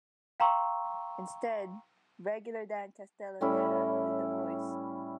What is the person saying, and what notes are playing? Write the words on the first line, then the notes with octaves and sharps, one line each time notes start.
Instead, regular Dan Castellaneta did the voice.
F5 G5 A#5 C6 C#6 E6
A2 G3 C#4 E4